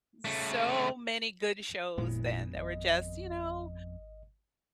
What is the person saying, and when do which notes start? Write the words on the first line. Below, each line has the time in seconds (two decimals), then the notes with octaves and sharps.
So many good shows then that were just, you know
0.25 C#3 A3
1.98 G#1 F2 A#2 G#3 B3 E4
2.55 G#1 D#5